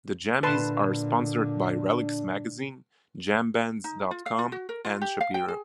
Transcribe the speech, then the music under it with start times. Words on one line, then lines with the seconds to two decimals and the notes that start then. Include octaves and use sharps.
The Jammys are sponsored by Relix magazine, Jambands dot com, and Shapiro.
0.43 A#2 D3 D4 B4 A5 C6
3.84 D#4
4.11 F4
4.26 F5
4.39 F4
4.52 F#4
4.69 A#4
4.85 F4
5.02 G4
5.21 F5
5.34 G5
5.48 G#4